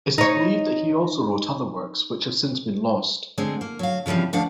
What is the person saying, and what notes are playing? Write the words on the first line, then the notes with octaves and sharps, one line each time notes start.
It is believed that he also wrote other works which have since been lost.
D#4 C#5
D3 G#3 C4
A#3
F#3 F5
C#3 E3 F3 G3 C4
D2 F3 D4 D5 F5 F#5